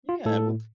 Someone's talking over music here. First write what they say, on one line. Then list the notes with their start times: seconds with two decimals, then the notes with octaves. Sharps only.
Yeah, well
0.09 F4
0.26 A2 A4